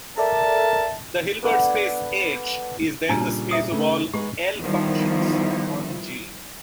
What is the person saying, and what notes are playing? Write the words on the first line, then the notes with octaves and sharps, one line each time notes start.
The Hilbert space "H" is then the space of all "L" functions on "G".
A4 A#4 D5 E5 A5
B3 D4 A4 F#5
A#2 C#3 G3 D4 A#5 E6
D4
E4 E5 D#6
C#3 A3 B3
G#3 B3 D#4 G4
D#3 F3 G3 B3 E4 F4